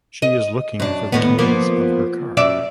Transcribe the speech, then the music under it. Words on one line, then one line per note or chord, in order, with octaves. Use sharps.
She is looking for the keys of her car.
D#5
F#2 D4
D#2 A2 B3
F3 A#3 B3
F#2 D5 E5